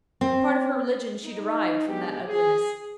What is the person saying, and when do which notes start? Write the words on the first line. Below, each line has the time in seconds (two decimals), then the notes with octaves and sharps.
A part of her religion she derived from that ugliness.
0.21 C4
1.25 D#4
1.87 G#3 B3 D4 G4
2.27 G#4